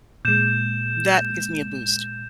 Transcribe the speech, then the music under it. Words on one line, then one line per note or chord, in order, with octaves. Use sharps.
that gives me a boost.
A#2 G#3 G6 E7